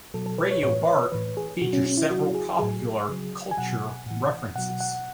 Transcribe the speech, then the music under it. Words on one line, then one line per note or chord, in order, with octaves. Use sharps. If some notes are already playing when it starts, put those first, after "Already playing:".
"Radio Bart" features several popular culture references.
B2 F#3 A4
A4
B4
C#5
A2 E3 C#5
B4
C#5
A2 E3 B4
G#4
B2 F#3 F#4
C#4
C#4
E4
C#3 F#3 F#4
G#4
A2 F#3 G#4
C#3 F#3
G#5
B2 F#3 F#5
A2 E3
B2 F#3 F#5
F#5